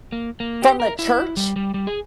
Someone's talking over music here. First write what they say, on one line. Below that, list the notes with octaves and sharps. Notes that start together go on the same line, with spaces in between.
From the church?
A#3
A#3
G4
A#4
E4
G3
G3
G3
G#4